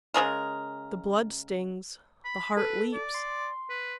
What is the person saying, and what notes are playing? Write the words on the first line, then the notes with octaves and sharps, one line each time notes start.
The blood stings. The heart leaps.
C#3 F3 G#3 A#4
B5
A4 B4
D5
C6
B4